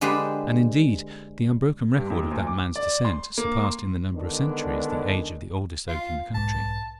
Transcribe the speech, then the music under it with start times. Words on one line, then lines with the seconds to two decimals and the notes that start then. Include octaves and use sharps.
And indeed the unbroken record of that man's descent surpassed in the number of centuries the age of the oldest oak in the country.
0.01 D3 G#3 G4 B4 C5
1.97 G2
2.10 D#2
2.31 D2
2.47 D6
2.76 D5
3.05 C6
3.38 A#3
3.64 C6
4.14 D3 D#3 G#3 B3 D4
5.88 F4
6.34 B1 G#2 A5